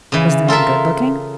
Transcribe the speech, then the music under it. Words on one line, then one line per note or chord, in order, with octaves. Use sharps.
"Was the man good-looking?"
C#3 E3
F4 A4 A#4 E5